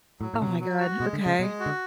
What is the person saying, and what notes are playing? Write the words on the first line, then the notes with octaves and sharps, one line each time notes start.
Oh, my god. Okay.
A2 F#3
A2
C#3 F#3
B2
F#3
F#4
B2 G#3
D3
G#3
C#3
B2 G#3
F#4
D3